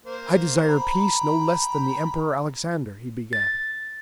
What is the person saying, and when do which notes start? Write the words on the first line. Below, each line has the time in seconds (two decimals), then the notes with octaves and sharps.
"I desire peace, no less than the Emperor Alexander," he began.
0.05 A#3 C5
0.69 G5 A#5 B5
3.33 A6